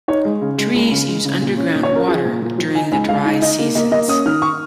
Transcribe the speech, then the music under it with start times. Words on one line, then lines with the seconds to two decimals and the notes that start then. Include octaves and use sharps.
Trees use underground water during the dry seasons.
0.08 D#4 C#5
0.25 G#3
0.42 C#3
0.58 G#3
0.74 C#2
0.91 C#3
1.08 G#3
1.25 C#3
1.42 A#2
1.58 C#4
1.75 A#2
1.83 C#5
1.92 C#4 A#4
2.08 F3 G#4
2.25 A#2
2.42 A#2
2.58 F3
2.75 D#4 G#5
2.92 C#2 G#5
3.08 C#2 F5
3.25 D#4
3.42 D#4 D#5
3.59 A#3
3.75 A#3 D#5
3.91 A#3 D#5
4.08 C#4 D#6
4.26 D#3 F6
4.42 C#6